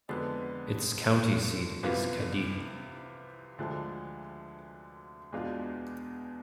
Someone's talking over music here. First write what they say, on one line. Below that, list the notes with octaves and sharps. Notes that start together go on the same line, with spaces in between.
Its county seat is Cadiz.
F2 D3 G#3 B3
C2 C3 E3 B3 F4
D2 D3 F3 G#3
E2 B2 G#3 D4 F4